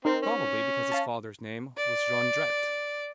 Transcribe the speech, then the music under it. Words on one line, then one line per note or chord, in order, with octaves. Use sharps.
Probably because his father's name was Jondrette.
C4 D#4 A#4 C5
C#4
F5 A5
D5